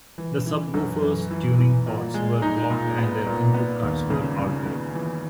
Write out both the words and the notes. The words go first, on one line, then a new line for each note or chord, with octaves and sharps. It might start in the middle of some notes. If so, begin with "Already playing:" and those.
The subwoofers' tuning ports were blocked and their input cards were altered.
E3
E3
F#2
E3
E3
E3
A#2
G#3
D#4
A#2
B3
A#2
B3
D#2
C#3
C#3
B3
E3